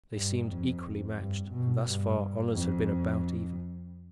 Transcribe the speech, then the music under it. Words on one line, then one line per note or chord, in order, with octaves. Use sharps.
They seemed equally matched, and thus far honors had been about even.
G2
F2
G2
B2
G2
F2